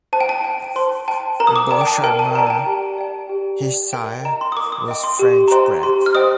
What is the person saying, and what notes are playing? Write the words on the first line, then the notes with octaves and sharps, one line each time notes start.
Beau Charmeur, his sire, was French bred.
C5 A5
G5
A5
G5
C5 C6
G5 A5
A#4 A#5
D#6
D6
D5 G5 A#5
G5
A5
A#4 G5
A5
D5 G5 A#5
A5
G5
G4
D5 G5
G4
D5 G5
A#4 G5
D#5 G5 A#5
C6
D#6
A#4 D6
D#6
D#5 G5
C6
G4
A#5
C5 D#5 G5 C6
G4 C6
F6
C5 D#5 G5 D#6